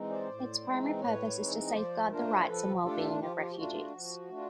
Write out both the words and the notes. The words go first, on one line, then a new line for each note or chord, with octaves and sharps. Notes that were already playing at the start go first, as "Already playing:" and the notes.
Its primary purpose is to safeguard the rights and well-being of refugees.
Already playing: E3 G#3 C4 D#4
C5 D5
A2
E3 G#3 C4 D#4
A2 B4 C#5
E3 G#3 C4 D#4
D#5
F3 C5 D5
A3 D4 F4 A#4 C5
C5
F3 A4 B4
A3 D4 F4 G4 A4
F3 F4 G4
F4 G4
G4
A3 D4 F4 F#4
F#4
F3
A3 D4 F4